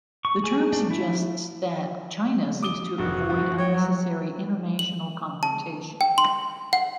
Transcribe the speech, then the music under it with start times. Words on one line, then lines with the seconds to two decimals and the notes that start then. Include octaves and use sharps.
The term suggests that China seeks to avoid unnecessary international confrontation.
0.25 C#6
0.44 G#4
0.73 D4
0.90 E4
2.63 D6 D#6 G7
2.98 F1 G2 F#4
3.30 F#2 F3
3.58 F#4 C#5 G5
3.75 F#3
4.79 F#7
5.43 A5
6.01 G5
6.18 C6
6.73 F#5